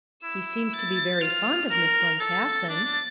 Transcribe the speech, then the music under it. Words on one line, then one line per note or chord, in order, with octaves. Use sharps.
"He seems to be very fond of Miss Boncassen."
E4 E6
A6
F4 F6
A#4 F6
A4 A6
D4 A6
D4